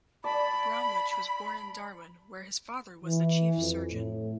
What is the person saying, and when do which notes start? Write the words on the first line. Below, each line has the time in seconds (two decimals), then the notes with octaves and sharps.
Bromwich was born in Darwin where his father was the Chief Surgeon.
0.24 D5 A5 B5
3.05 E3
3.60 F2
3.92 A2